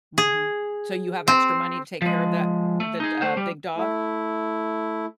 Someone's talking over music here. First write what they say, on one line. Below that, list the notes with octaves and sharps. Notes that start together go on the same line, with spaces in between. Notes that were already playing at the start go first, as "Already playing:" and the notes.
Mhm. So you have extra money to take care of that, the d uh, big dog?
G#4
C4
F3 G#3
A3
D#4 G#4
A3 C5
G3
A3 E4